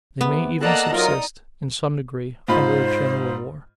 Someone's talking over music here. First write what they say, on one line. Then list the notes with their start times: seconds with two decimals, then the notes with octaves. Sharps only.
They may even subsist, in some degree, under a general war.
0.21 C3 B3
0.61 A#3 A4 D5 D#5 F#5 A5 A#5 F#6
0.92 F#3 D#4 F4 A#4 A#5 D#6
2.48 G#2 F4 C5 B5